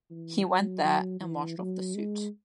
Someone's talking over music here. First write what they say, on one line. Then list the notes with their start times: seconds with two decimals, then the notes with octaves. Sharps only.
He went there, and washed off the soot.
0.11 E3
0.47 F#3
0.84 F#3
1.21 E3
1.58 F#3
1.95 G#3